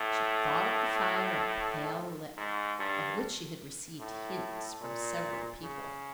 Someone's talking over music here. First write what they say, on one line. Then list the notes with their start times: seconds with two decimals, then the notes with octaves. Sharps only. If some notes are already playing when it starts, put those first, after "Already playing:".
She thought of the fire at Pale Lick, of which she had received hints from several people.
Already playing: A2
2.37 G#2
2.79 G2
4.00 A2
4.81 A#2
5.62 C#3